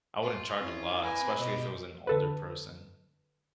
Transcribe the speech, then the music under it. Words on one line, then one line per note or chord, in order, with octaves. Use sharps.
I wouldn't charge a lot, especially if it was an older person,
F4
C4 C#4 E4
A#3 B4 G#5
C#2 B2 G4 D#5 B5
D3 A4 B4